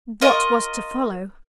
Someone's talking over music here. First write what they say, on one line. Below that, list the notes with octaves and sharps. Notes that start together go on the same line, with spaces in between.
What was to follow?
F4 A#4 D#5 C#6